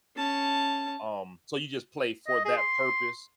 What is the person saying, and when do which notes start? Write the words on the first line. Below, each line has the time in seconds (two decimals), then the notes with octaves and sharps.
um, so you just play for that purpose,
0.16 C#4 A5
2.27 D#5
2.45 G#4
2.57 C6